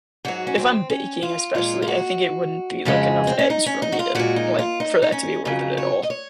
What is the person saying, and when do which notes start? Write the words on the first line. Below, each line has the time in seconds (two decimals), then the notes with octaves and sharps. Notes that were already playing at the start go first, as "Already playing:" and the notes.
if I'm baking especially, I think it wouldn't be like enough eggs for me to, like, for that to be worth it at all.
0.25 G#2 F#3 F#4
0.47 C#4
0.58 C4
0.90 C#4
1.23 F4
1.55 A#2 G#3 F4
1.82 F4
1.88 F#4
2.85 F2 C#3 G#3
3.27 C4
3.39 C#4
3.50 D#4
3.66 C#4
3.82 D#4
3.92 F#4
3.99 F4
4.15 A#2 G#3 F#4
4.36 D#4
4.59 F4
4.80 D#4
5.02 D#4
5.12 C#4
5.45 F2 C#3 F#3 G#4
5.78 C#5
6.03 D#5
6.10 C#5